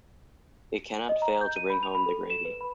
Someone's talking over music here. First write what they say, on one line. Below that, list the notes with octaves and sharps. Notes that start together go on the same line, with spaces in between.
It cannot fail to bring home the gravy.
D#5
A#5
G6
D#7
B5
F7
B5
A4
E7
B4
B5